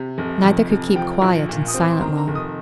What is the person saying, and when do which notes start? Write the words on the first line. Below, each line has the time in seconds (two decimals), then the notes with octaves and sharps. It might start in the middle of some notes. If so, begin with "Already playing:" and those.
Neither could keep quiet and silent long.
Already playing: C3
0.18 F1
0.44 F2
0.71 F1
0.96 F3 G5
1.22 A#1
1.49 A#2
1.68 D#6
1.74 C4 D6
1.90 C6
2.01 D#3 A#5
2.17 A#5
2.27 F1
2.35 D#6